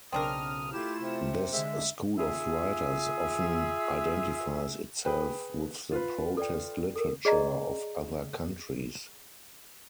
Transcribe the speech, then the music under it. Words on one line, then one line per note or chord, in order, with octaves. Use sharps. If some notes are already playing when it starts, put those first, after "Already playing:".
This school of writers often identifies itself with the protest literature of other countries.
B1 C#3 C4 D4 A#4 D#6 F6
A3 E4 F4 G4 E7
C3
D3 G#3 E5
F4 G#4 E5
G#4 B4 G5
F4 B4
A4 D5 G5
A4 A#4
G#4 D5 D#5 A#5